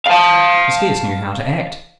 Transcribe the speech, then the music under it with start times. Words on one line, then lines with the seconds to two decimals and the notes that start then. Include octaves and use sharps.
He scarce knew how to act.
0.07 F5 A5